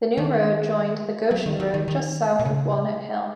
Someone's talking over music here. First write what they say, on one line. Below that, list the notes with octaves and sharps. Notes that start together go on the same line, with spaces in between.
The new road joined the Goshen Road just south of Walnut Hill.
D#3
F#3
D#3
F#3
D#3
D#3
A#2
C#3